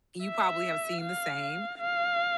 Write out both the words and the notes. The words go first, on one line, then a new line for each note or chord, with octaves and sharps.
you probably have seen the same.
E5
F5
F5